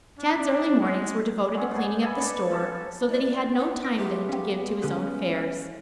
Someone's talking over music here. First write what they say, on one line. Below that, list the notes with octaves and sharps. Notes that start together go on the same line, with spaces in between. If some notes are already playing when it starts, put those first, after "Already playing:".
Tad's early mornings were devoted to cleaning up the store, so that he had no time then to give to his own affairs.
D4
G#3
F#2 F#3 G#3 C#4
G#2 B3 D4 G#4
A4 G#5 B5
D4 D#4 B4 D5
C#4 D#4 A4 A5
E4 D5 F#6
B3 D#4
F6 A#6 D7
F#3 G#3 A3 G4
C4 C#4 F5
D3 C#4 G4 F#6